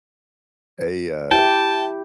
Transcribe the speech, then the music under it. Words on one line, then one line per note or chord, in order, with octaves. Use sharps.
a, uh
E4 G4 G5 A5